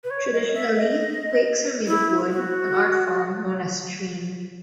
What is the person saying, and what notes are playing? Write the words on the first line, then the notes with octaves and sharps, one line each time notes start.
Traditionally quaichs are made of wood, an artform known as "treen".
B4
C#5
D#5
E5
D#5
E4
F#4